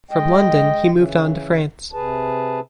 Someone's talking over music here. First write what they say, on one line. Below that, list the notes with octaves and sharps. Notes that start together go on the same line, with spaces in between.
From London he moved on to France.
G#3 D#5 G5
C#3 E3
C3 G#4 B4 A5